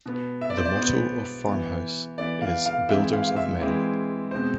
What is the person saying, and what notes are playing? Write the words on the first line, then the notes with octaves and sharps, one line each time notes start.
The motto of FarmHouse is "Builders of Men".
B2 B3
E5
D5
C5
D5
B2 B3 C5
E3 B3
E3 B3 D5
F5
F5
E3 G#3 C4 E5
F5
F5
E5
E3 G#3 C4
B2 G#3 C4 C5